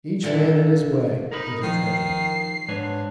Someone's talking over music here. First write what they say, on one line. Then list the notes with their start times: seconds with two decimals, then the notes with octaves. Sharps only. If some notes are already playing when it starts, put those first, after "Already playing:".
Each man in his way is a treasure.
0.23 A#2 D3 E3 E4 A5
1.32 D#4 A#4 B5
1.63 D#3 F3 C7
2.68 G#2 D4 B4 C#5